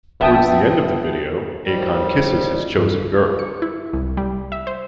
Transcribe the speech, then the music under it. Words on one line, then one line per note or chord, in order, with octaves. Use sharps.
Towards the end of the video, Akon kisses his chosen girl.
A#1 B3 E5 G5 A5 D#6
A2 D#3 F3 G3
G2
C#7
E4
C2
G3
E5
C5